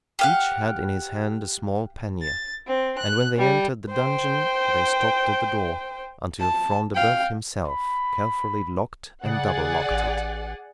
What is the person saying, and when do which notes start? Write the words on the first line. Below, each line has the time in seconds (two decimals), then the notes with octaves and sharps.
Each had in his hand a small pannier; and, when they entered the dungeon, they stopt at the door until Front-de-Boeuf himself carefully locked and double-locked it.
0.19 G4 F5 F#5
2.21 A6
2.67 C4
2.98 F#6
3.37 G3
3.92 C5 G5
6.40 A5
6.95 F5 G5
7.68 B5
9.25 C#3 G#4 D5 F#5
9.91 A1